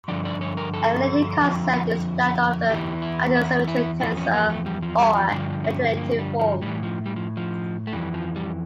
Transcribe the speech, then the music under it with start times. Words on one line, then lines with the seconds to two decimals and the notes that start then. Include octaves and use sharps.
A related concept is that of the antisymmetric tensor or alternating form.
0.08 G2 D3 F3 D5
0.25 D5
0.41 C#5
0.57 A#4
0.73 A4
1.39 F2 D3 F3
2.69 E2 E3 G4
3.02 E4
3.35 E4
3.68 E4
4.00 E2 C#3 F3 E4
4.17 C#4
4.33 A#3
4.49 A3
4.66 G3
4.82 F3
4.99 G3
5.15 F3
5.31 G2 D3 F3 D4
5.64 C#4
5.97 A#3
6.18 G3
6.40 F3
6.62 A2 E3 G3
6.83 F3
7.06 G3
7.16 F3
7.37 F3
7.87 A3
7.93 F2 E3 G3
8.14 F3
8.36 G3